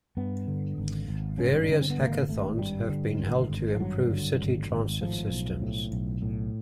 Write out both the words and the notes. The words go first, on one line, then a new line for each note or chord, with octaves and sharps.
Various hackathons have been held to improve city transit systems.
G2 B3
D3
G#1
G#1
G2 C#4
D4
D3 C#4
C4
B3
G#1 A#3
G#1 A3
G2 G3
D3
G#1
G#1
F3
G2 F#3
D3
G#1
G#1
A2 F3
B1
A2
B1
A2